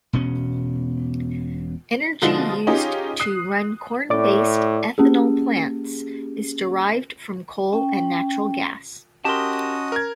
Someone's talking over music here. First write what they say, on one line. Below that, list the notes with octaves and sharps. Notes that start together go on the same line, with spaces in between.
Energy used to run corn-based ethanol plants is derived from coal and natural gas.
E1 B2 C#4
B2 D3 F3 G#3 D#4 F4
C#4 D#4 F4 G4 G#4
D#6 F#6 C7
A2 D5 D6
A#3 C#4 G4 G#4
C#4 G5
C#4 F#4 G4 A#4 D#5 A5 C6 D#6
A#4 G#6